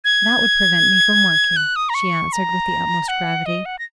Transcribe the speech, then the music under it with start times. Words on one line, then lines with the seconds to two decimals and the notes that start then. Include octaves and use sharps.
"That would prevent me from working," she answered, with the utmost gravity.
0.04 G#6
1.56 F#6
1.76 D#6
1.89 A#5
1.94 C#6
2.33 A#5
3.08 F#5
3.46 D#5
3.66 F#5
3.79 A#6